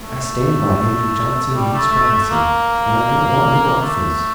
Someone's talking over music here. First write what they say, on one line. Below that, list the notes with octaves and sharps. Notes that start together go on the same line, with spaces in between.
"I stand by Andrew Johnson and his policy, and I don't want no office!"
A3
G3
A3
A3
A3
A#3
A3